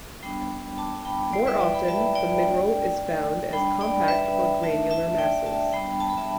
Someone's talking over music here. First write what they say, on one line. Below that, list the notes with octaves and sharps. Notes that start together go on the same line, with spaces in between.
More often the mineral is found as compact or granular masses.
G3 B3 D4 G5 B5
A5 D6
G5 B5
G3 E4 D5 G5
B4 E5
D5 G5
G5 B5
E5 A5
D5 G5
A3 D4
G3 D4 G5 B5
D5 G5
B4 E5
A3 D4 E5 A5
E5 A5
D5 G5
E5 A5
G3 B3 D4 G5 B5
A5
B5
E5 A5